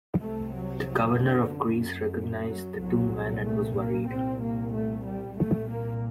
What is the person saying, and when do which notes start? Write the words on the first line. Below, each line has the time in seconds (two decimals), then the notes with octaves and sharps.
The Governor of Greece recognised the two men and was worried.
0.20 C2 C3 A3
0.53 F#3
0.85 F#3
1.17 D3
1.49 F#2
2.46 F#3
2.78 C2 A#2 F#3
3.44 A3
3.75 A#3
4.08 C2 A#2 C4
4.40 A#3
4.73 A3
5.04 G3
5.36 C2 A#2 A3
5.69 A#3